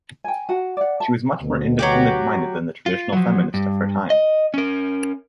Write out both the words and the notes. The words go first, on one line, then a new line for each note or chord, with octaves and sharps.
She was much more independent-minded than the traditional feminist of her time.
G5 G#5
F#4 F#5
D5 F#5
A5
D2 B2
F#3 F#4 G4
F4
F3 F#3
G2
D#5
C#4 A#4